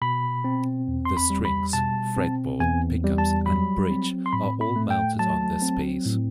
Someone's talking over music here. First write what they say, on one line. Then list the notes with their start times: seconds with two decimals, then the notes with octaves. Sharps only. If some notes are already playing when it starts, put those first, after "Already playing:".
The strings, fretboard, pickups and bridge are all mounted on this piece.
0.02 B2 B5
0.44 C4
0.88 E2
1.05 C6
1.17 B5
1.30 G3
1.45 B5
1.73 B2 A5
2.17 C4
2.60 E2 G#5
3.04 G3
3.18 A5
3.46 F#3 B5
3.90 C4
4.26 C6
4.33 A2 B5
4.61 B5
4.76 A3
4.91 G5
5.19 F#3 A5
5.62 C4
6.05 A2